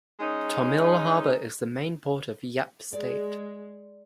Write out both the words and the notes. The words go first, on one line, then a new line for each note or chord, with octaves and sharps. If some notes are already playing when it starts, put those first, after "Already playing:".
Tomil Harbor is the main port of Yap State.
G#3 C#4 D#4
G#3 D5